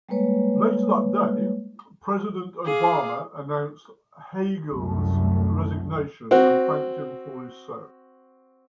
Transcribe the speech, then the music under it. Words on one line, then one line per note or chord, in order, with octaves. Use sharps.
Later that day, President Obama announced Hagel's resignation and thanked him for his service.
G3 G#3 A#3 B4 C#5
G#4 F5 D6
C2 F#2 A3
C4 F#4